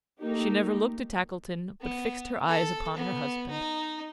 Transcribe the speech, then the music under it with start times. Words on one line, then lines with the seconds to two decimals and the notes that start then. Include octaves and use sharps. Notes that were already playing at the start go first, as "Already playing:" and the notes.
She never looked at Tackleton, but fixed her eyes upon her husband.
0.21 A3 A#3 D#4 G4
1.81 B3
2.48 A4
2.97 B3
3.50 D#4